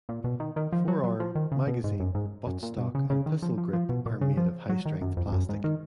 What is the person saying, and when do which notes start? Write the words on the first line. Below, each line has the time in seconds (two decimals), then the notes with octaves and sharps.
Forearm, magazine, butt stock and pistol grip are made of high strength plastic.
0.09 A#2
0.24 B2
0.40 D#3
0.56 D#3
0.72 F3
0.88 F#3
1.04 F#3
1.20 F3
1.35 D#3
1.52 C#3
1.67 B2
1.84 G#2
2.00 F#2
2.14 G#2
2.47 F#2
2.63 A#2
2.78 B2
2.95 C#3
3.10 C#3
3.26 D#3
3.42 F3
3.58 F3
3.73 F3
3.89 B2
4.06 A#2
4.21 C#3
4.37 F3
4.69 F#3
4.86 D#3
5.01 F#2
5.17 F2
5.27 F2
5.32 F#2
5.49 G#2
5.64 D#3